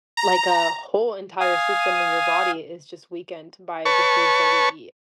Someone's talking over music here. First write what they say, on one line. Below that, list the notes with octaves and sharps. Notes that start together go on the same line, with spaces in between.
like, a whole entire system in your body is just weakened by the foods that we eat.
A#5
F5 G#5 D#6
B4 C#5 A5 C#6